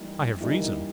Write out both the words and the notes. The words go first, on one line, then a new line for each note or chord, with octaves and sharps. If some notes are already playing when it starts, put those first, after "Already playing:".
I have reason.
Already playing: E3 G3 A#3 D#4
E3 G3 A#3 D#4